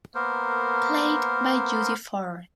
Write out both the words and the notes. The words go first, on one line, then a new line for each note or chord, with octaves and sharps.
Played by Judi Farr.
A#3 B3 A#4 C5